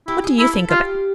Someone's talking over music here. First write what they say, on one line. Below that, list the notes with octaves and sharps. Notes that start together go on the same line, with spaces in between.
What do you think of it?'
E4 G4
G#4
E4 A4
A4
F4 G4